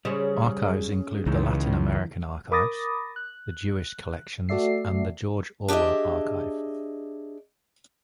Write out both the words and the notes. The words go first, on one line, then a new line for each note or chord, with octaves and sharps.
Archives include the Latin American archives, the Jewish collections and the George Orwell Archive.
C#3 G3 C5 C#5
C#2 E3 D#4 E4
A#4 B5 D6 D#6 A6 A#6
F#6
A3 F#4 A4 D5 E5 C7
D4 G4 G#4 D#5 E5